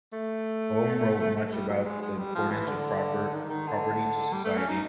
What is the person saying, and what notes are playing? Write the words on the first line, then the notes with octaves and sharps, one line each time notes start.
Home wrote much about the importance of property to society.
A3
A3
G3
F#3
G#3
G#3
G3
F3
E3
D3
D#3
D#3
D3
G3
A3
C#4
D#4